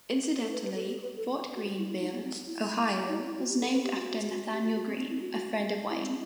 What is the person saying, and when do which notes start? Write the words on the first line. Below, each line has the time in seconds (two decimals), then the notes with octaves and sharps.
Incidentally, Fort Greene Ville, Ohio, was named after Nathaniel Greene, a friend of Wayne.
0.41 A4
0.53 B4
0.64 B4
0.75 A4
0.87 G4
1.02 B4
1.17 A4
1.56 F#4
1.78 E4
1.89 E4
2.01 D#4
2.13 B3
2.23 C4
2.47 E4
3.08 D#4
3.15 E4
3.27 E4
3.38 F#4
3.49 G4
3.61 A4
3.72 B4
3.84 G4
3.95 F#4
4.07 F#4
4.29 F#4
4.52 G4
4.64 F#4
4.75 F#4
4.87 C4
4.98 C4
5.09 E4
5.21 F#4
5.32 F#4
5.89 E4